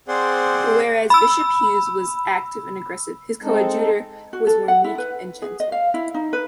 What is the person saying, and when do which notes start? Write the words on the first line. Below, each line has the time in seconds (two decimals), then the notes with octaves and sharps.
Whereas Bishop Hughes was active and aggressive, his coadjutor was more meek and gentle.
0.08 C4 G#4 C5 D5 F#5 C6
1.10 B5 E6
3.42 G#3 C4 D#4 A4
4.33 F#4
4.47 A4
4.68 F#5
4.84 E4
4.98 B4
5.42 G#4
5.60 D#5
5.72 F5
5.94 E4
6.14 D#4
6.33 B4